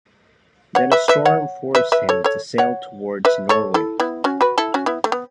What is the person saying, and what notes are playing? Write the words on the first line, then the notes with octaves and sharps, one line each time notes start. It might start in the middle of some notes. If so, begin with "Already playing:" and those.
Then a storm forced him to sail towards Norway.
C#5 F#5
B4 E5
B4 E5
C#5 F#5
B4 E5
B4 E5
A4 C#5
A4 C#5
C#5 F#5
B4 E5
A4 C#5
E4 A4
B3 E4
C#4 F#4
F#4 B4
E4 A4
C#4 F#4
B3 E4
A3
B3